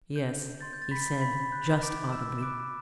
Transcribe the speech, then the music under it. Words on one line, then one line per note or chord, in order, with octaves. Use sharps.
"Yes," he said, just audibly.
G6
C6 G6 A6
G6
A6
B5 B6
B5 B6
B5 F#6 G6
E7
D6 D7
E6 E7
E7
B5 D6 F#6 D7